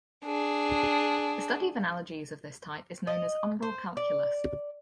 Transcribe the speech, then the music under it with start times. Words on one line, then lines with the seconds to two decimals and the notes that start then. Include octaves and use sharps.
The study of analogies of this type is known as umbral calculus.
0.25 D4 G#4
3.07 D#5
3.62 C5
3.97 D5